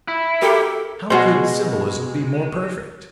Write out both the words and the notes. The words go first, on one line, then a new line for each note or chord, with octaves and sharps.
How could symbolism be more perfect?
E4
F#4 G4 A4 A#4
B2 G#3 F#4 C5